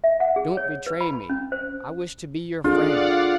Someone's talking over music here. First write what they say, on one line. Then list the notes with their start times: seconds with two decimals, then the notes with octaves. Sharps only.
Don't betray me, I wish to be your friend.
0.04 E5
0.20 F#5
0.36 G#4
0.57 C#5
0.87 B4
1.01 B5
1.29 C#4
1.52 C5
2.64 D4 F4 G#4 A4 D5 F5 F#5